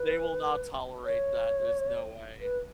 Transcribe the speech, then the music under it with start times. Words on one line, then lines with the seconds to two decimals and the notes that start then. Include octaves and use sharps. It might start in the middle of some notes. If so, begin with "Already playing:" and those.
They will not tolerate that, there's no way,
Already playing: B4
1.05 C#5
2.41 B4